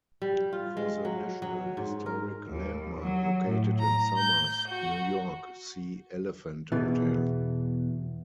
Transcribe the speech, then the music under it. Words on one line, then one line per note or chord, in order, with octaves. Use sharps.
For the National Historic Landmark located in Somers, New York, see Elephant Hotel.
G3
F4
G#3
F#3
F#3
G#2
A#4
D#2
F#3
A2
A#5
G6
F#4
E2 B2 E3